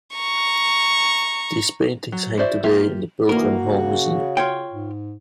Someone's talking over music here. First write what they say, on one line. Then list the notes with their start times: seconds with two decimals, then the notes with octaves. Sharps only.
These paintings hang today in the Pilgrim Hall Museum.
0.15 A#5 C#6
2.12 F#3
2.38 E4 F#4 C5 D5 E5
2.64 A#3 F4 G4 E5
3.29 A#2 D3 E3 A#3 F#4 A#4
3.65 C#3
4.37 F4 C#5 G5
4.74 G#2